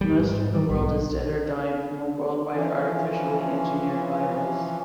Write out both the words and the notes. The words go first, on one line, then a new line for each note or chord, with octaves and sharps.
Most of the world is dead or dying from a worldwide, artificially engineered virus.
G3
G#2
D#3 G3
B1
E3 F3 C#4